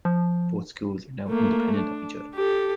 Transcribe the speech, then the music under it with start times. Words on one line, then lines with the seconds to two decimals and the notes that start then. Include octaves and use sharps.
Both schools are now independent of each other.
0.05 F3
1.29 A3 A#3
1.76 D4
2.35 G4 A4